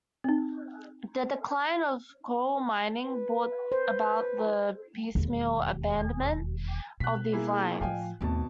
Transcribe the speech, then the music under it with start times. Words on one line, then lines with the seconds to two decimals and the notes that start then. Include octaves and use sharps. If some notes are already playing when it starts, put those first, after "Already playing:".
The decline of coal mining brought about the piecemeal abandonment of these lines.
0.24 C4 D#4
3.06 B4
3.72 C5
5.15 E1 D#2
7.00 B2 F#6 B6
7.32 A#3 E4 G#4
7.81 A2 F3 F5 G5 G#5
8.21 G#1 D#2 B2 A3 A5